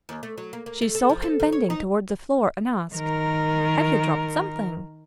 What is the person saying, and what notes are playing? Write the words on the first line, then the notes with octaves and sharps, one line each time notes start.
She saw him bending toward the floor, and asked, "Have you dropped something?"
D#2
A3
F#3
A#3
A#3
A3
A4
F3
A4
D#3
C#5
D#4
D#3 A#4